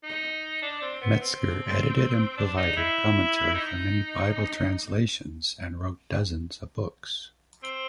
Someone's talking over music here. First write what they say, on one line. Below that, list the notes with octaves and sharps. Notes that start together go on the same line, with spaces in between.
Metzger edited and provided commentary for many Bible translations and wrote dozens of books.
D#4
D4
C4
B3
C4
D4
D#4
E4
D#4
C4